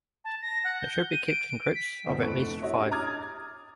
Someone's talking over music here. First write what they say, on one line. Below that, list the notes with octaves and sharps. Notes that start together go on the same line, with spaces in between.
They should be kept in groups of at least five.
A5
A#6
F#5
G6
D#7
D7
B6
G1 D2 D3 F3 B3 C5
F1 A3 A4 C#6 F#6 D7
E4 F#4 C#5 D#5 E5
C#4 D4 G4 G#4 D#5
A#5 D6 D#6 F6 G#6 A6